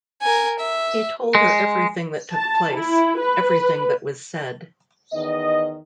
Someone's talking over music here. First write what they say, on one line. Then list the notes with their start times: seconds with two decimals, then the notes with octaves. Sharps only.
He told her everything that took place, everything that was said.
0.22 A#4 G#5
0.59 E5
1.35 G#3
2.34 A5
2.76 E4
3.19 B4
5.13 E2 D#3 D#5